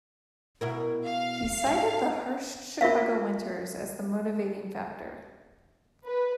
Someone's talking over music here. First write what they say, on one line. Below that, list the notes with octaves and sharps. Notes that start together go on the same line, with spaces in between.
He cited the harsh Chicago winters as the motivating factor.
B2 E4 A#4
F5
G#2 E5
F4 A#4 E5 F5
B4